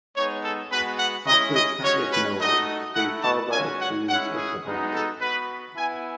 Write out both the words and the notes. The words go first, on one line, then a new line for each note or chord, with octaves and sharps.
After a chat with Noah, the father approves of the marriage.
G#3 B3 D#4 C#5
A4
G#3 B3 F#4 B4
F#5
G#3 C#4 E4 D#5
D#5
G#3 C#4 F#4 C#5
B4
A3 D#4 F#4 D#5
A3 E4 F#5
A5
G#3 C#4 F#4 G#5
F#5
G#3 C#4 E4 F#5
G#4
G#3 B3 D#4 F#4
A4
B3 F#4 B4
B3 E4 G#5